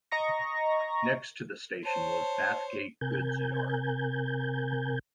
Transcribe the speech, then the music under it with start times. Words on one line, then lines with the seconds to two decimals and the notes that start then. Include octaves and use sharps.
Next to the station was Bathgate goods yard.
0.11 D#5 A#5 C#6 A#6
1.85 C5 C#5 A5
3.01 C3 A#4 G#5 G6